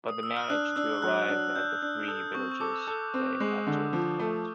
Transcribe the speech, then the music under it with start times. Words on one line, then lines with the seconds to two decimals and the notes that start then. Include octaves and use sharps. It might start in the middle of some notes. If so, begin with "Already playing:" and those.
But they managed to arrive at the three villages they have to defend.
0.09 D#6
0.23 E6
0.37 F6
0.50 D4 F#6
0.76 D4 E6
1.02 F#3 F#6
1.29 D4 F#6
1.56 D4 G6
1.82 D4 F#6
2.08 A4 D#6
2.35 C4 C#6
2.51 C#6
2.61 A4 D6
2.87 A4
3.14 C4
3.40 G#3
3.67 D3
3.93 F3
4.19 A3